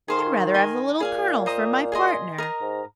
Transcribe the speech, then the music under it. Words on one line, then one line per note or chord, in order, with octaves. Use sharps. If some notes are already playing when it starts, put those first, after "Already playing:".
"I'd rather have the Little Colonel for my partner."
D#3 G#4 C5 F5 C6
A#4 G#5 C6
A#2 G#4 F5 G#5
C5 D#5 A#5 D#6
G#4 D#5 C6
A#4 D#5 A#5
G#2